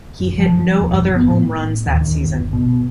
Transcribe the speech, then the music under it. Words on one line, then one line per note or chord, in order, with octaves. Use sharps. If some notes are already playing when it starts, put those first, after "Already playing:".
He hit no other home runs that season.
F#1
F3
E1
G1
B3
A2
D#2
D#2
G1
B2